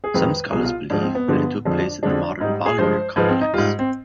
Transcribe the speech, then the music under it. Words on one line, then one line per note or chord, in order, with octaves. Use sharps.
Some scholars believe that it took place in the modern Balymer complex.
G#4
F2 D#3 G#3 B4
C2 B2 G3 G#4
F4
G#2 F3 G#3 D4
C4
B3
G2 D3 F3 G#3
F2 D3 F3 G#3 D4
F2 D3 F3 G#3 D4
G#2 G3 D#4
G#4
G2 F3 G#3 C5
G#2 F3 G#3 B4
C4
D#4
G#2 G3 F4
C4